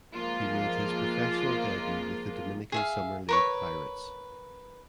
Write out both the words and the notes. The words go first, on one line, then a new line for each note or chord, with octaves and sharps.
He made his professional debut with the Dominican Summer League Pirates.
F3 G#3 A#3 F4
G#4 E5 F5
A#4 B4 C#5